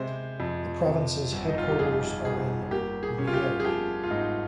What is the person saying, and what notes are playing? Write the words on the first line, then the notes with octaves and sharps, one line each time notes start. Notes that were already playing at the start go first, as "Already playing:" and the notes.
The province's headquarters are in Nyeri.
Already playing: C3 G#3 C5
F2
C3
G1
D#4
F4
G4
F2 G#4
G1 G#4
A#3 G4
G#4
C#4
F4
G4
G#4
F3 G4
F4
G#2 D#4